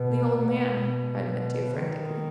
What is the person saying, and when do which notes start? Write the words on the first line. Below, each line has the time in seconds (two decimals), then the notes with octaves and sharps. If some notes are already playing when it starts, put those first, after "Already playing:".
"The old man!" cried Mitya frantically.
Already playing: B2
0.38 B2
1.31 B2
1.76 D#3